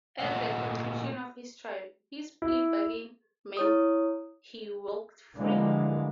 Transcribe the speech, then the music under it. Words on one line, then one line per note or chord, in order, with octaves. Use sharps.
At the conclusion of his trial, his plea bargain meant he walked free.
A#2 A3 A#4 D#5 F#5
E4
E4 C#5 D#6
D3 E3 F3 G3 G#3 A#3